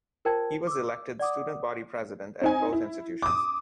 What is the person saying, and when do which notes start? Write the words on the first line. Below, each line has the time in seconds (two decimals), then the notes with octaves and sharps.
He was elected student body president at both institutions.
0.25 F4 A#4 C5 G5 A5 G#6
0.67 D6 E6
1.19 D5 F#5 D6 D#6
2.41 C4 D#4 G#5
2.73 E4
3.22 D6 D#6